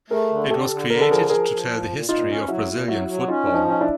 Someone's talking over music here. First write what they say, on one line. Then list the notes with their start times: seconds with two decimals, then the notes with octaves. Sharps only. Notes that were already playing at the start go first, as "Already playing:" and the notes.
It was created to tell the history of Brazilian football.
0.10 A3 G#4 A#4
0.30 D3
0.50 D3 G4 A4
0.70 D3
0.90 D3 A#4
1.01 A4
1.10 F3 G#4 A#4
1.29 F3 G#4 A#4
1.50 F3
1.69 A#2
1.89 A#2
2.09 A#2 D#4 F4
2.29 C#4
2.48 F#3 E4 F#4
2.68 A#2
2.88 F#3 E4 F#4
3.08 F#3
3.19 F#4
3.28 C#4 D#4 F4
3.47 F3 D4
3.54 D#4
3.67 C#4 D#4
3.81 D4 E4